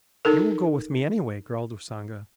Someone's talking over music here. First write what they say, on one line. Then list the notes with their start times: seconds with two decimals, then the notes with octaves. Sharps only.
"You will go with me anyway," growled Usanga.
0.25 D#4 A4 A#4